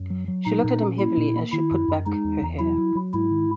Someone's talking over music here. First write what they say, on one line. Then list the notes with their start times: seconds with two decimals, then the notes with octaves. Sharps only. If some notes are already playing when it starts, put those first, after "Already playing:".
She looked at him heavily as she put back her hair.
Already playing: F#2
0.10 F#3
0.28 F#3
0.45 A#2 D#4
0.64 A#2
0.82 C#4
0.99 A#3 E4
1.17 A#2
1.35 A#3
1.52 D#3 E4
1.71 F#2
1.88 F#2
2.06 G#3 D#4
2.24 E2
2.42 E2
2.59 F#3 E4
2.77 F#3
2.95 F#3
3.13 G#2 E4
3.31 D#3